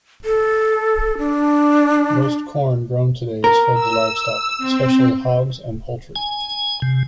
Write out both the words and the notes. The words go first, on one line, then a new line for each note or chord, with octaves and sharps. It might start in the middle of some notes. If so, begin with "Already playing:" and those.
Most corn grown today is fed to livestock, especially hogs and poultry.
A4
D4
A#4
E6
C4
G#5
C3